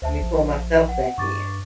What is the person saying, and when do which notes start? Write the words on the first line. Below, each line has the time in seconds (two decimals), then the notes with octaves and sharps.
let me pull myself back in."
0.02 D2 C5 E5 A5
0.21 A#1
0.89 F#5
1.18 G2 C#6 D6 A6